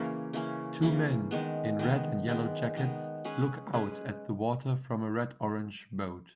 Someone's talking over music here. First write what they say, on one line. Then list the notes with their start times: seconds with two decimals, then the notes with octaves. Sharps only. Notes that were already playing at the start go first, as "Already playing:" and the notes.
Two men in red and yellow jackets look out at the water from a redorange boat.
Already playing: C#3 E3 A#3 C#4
0.33 C#3 E3 A#3 C#4
0.82 C#3 E3 A#3 C#4
1.31 D#3 G#3 B3
1.79 D#3 G#3 B3
2.28 D#3 G#3 B3
2.76 D#3 G#3 B3
3.24 G#3 C#4 G#4 B4
3.73 G#3 C#4 G#4 B4